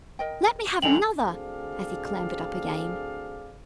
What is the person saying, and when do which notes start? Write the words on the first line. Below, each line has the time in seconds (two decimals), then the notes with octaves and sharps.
"Let me have another!" as he clambered up again.
0.19 A#4 D#5 G5
0.82 F#2 D3 A4 D#5 G5 G#5 F7 F#7
1.23 D2 C4 G#4 A4 D5 F5